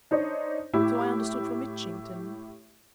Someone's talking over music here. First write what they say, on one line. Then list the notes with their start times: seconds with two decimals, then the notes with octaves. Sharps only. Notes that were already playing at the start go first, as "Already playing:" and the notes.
"So I understood from Mitchington."
0.11 D4 D#4 C5 C#5 D#5
0.73 A2 E4 G4